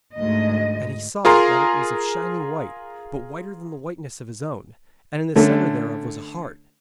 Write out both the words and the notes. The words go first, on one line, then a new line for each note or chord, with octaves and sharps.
And he saw that it was of shining white, but whiter than the whiteness of his own, and in the centre thereof was a heart.
D2 G#2 D#5
F4 G#4 A#4 A#5 C6
D3 A3 C#4